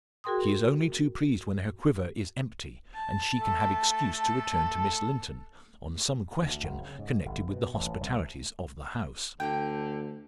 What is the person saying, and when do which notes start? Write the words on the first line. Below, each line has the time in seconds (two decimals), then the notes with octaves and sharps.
She is only too pleased when her quiver is empty, and she can have excuse to return to Miss Linton, on some question connected with the hospitalities of the house.
0.24 F#4 G#4 A#4 G5 C6 D#6
2.94 A5
3.38 A3 A4
6.43 D2
6.63 F#1
6.81 C#3
6.99 G#2
7.25 G1
7.49 B2
7.74 A1
8.01 C2
9.40 D2 D3 D#4 G5